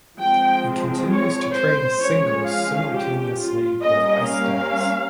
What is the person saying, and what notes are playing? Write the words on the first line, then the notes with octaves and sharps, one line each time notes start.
He continues to train singles simultaneously with ice dance.
F3 G#3 C4 G5
C#5
C5
F3 G#3 C#4 C#5
F5
G4
F4
G3 A#3 C#4 D#5
F5